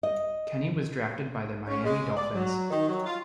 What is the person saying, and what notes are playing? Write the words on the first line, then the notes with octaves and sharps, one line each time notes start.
Kenney was drafted by the Miami Dolphins.
D#5
C#4
G#3
D5
F#3
D#3
F#3
F4